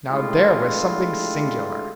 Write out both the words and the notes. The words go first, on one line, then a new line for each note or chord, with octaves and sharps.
Now there was something singular.
G#3 A3 D4 E4 F4 G4